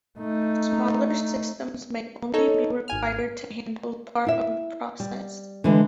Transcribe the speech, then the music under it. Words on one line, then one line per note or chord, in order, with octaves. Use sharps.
Smaller systems may only be required to handle part of the process.
A3 D#4
D#4 A4 C#5
G#1 G#5 F6
E4 E5
G3
D3 E3 G#3